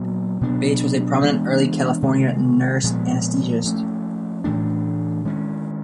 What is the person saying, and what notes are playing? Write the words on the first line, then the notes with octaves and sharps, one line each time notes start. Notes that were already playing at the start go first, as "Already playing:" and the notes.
Bates was a prominent early California nurse anesthetist.
Already playing: A#2 F#3 B3
B2 F#3 B3 D4
E3 G#3 B3 D4
C3 D#3 G#3
A#2 F3 G#3 B3
F3 A3 C#4
A2 E3 A3 D4
D#3 G#3 C#4